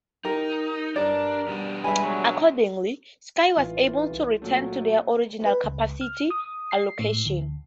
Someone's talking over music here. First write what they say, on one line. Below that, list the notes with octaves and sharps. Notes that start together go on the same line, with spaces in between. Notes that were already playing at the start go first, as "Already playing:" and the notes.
Accordingly, Sky was able to return to their original capacity allocation.
D#4 G4 A#4
G2 G3 D4 A#4 D5
B2 G3 D4
G3 G#3 B4 E5 G#5
F#3
A1 E3 F4
C2
A#2 F#3 A3
B4
C#2
F6
D#6
C7
A2
D2